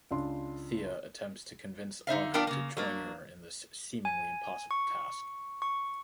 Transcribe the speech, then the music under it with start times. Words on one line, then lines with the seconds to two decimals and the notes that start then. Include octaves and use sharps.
Thea attempts to convince Augie to join her in this seemingly impossible task.
0.11 C#2 D4 C6
2.07 D3 D#4 E5 F5
2.34 B3 D4 A#4 D5 F5 G5
2.47 C#3 A#3
2.77 F#3 A#3 D4
4.05 G#5
4.71 C#6
5.62 C#6